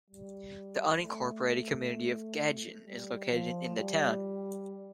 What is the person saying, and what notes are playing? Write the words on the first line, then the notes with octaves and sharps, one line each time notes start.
The unincorporated community of Gagen is located in the town.
G3
A3
A3
G3
F3
G3